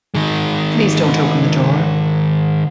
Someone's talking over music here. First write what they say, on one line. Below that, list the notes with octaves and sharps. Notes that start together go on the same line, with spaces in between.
Please don't open the door.
D#3 G#3